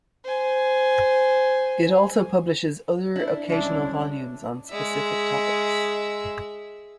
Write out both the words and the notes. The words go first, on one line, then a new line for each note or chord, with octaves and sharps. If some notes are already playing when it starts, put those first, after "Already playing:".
It also publishes other occasional volumes on specific topics.
C5 G#5
D4 E4
C2 G#3 C#4 D4 E4
G#3 E5